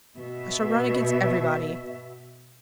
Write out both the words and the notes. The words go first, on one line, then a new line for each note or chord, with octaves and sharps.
I shall run against everybody.
B2 E5